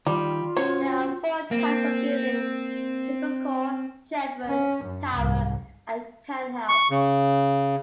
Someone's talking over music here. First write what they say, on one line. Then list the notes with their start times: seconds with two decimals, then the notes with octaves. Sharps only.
There are four types of buildings; Triple Core, Chevron, Tower and Town House.
0.07 D#3 G3 F4
0.57 C#4 F#4 C5 C#5
1.51 A#3 C4
4.46 C#4
4.85 F#2
5.14 C2 G#2
6.69 C#6
6.91 C#3